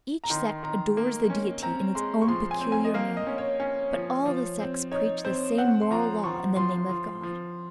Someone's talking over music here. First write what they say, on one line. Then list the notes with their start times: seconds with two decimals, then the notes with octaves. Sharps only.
Each sect adores the Deity in its own peculiar manner, but all the sects preach the same moral law in the name of God.
0.24 A#5
0.30 D#3 C6
0.63 D#3 A#5
0.97 A#3
1.30 C#4
1.62 C4 A#5
1.95 G#3 C6
2.22 C#6
2.28 F3 C6
2.51 G#5
2.61 C4
2.72 G#5
2.85 D#5
2.94 A#3 F5
3.17 D#5
3.27 C#4
3.38 C#5
3.60 C#4
3.93 F3
4.26 F3
4.60 C4
4.92 D#4 C#5
5.25 C4 C5
5.58 C4 F#5
5.81 C6
5.91 F3 A#5
6.23 F3 C#6
6.56 F3 C6
6.89 F3
7.23 F3